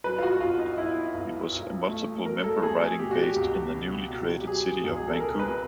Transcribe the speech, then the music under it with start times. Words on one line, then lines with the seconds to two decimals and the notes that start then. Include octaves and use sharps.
It was a multiple member riding based in the newly created city of Vancouver.
0.04 F#3 B4
0.18 F4
0.23 F#4
0.36 F#4
0.40 B1 F4
0.59 D#4
0.78 B1 E4
1.14 B1
1.52 B1
1.88 A3
2.26 F#3 A#4
2.44 A4
2.62 A3 G#4
2.81 G#4
2.99 B2 G4
3.11 F#4
3.23 G4
3.36 C#2
3.73 B2
4.10 B2
4.41 G4
4.47 F#3 G#4
4.84 C#2
4.96 G#4
5.08 A4
5.20 B2 A#4
5.39 B4